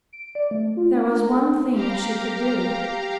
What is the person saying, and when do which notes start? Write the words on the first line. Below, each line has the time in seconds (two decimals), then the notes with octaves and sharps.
There was one thing she could do.
0.13 D7
0.35 D5
0.51 A3
0.77 F4
0.94 D4
1.13 A#5
1.29 A4
1.72 G4 F5 A#5